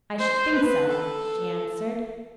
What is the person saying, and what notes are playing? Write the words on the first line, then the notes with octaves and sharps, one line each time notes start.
"I should think so," she answered.
C5
B4
A4